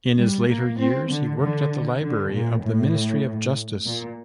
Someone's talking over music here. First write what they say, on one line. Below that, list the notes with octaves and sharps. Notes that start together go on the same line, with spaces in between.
In his later years, he worked at the library of the Ministry of Justice.
G3
A#3
C4
D3
D3
D3
A#2
A2
A#2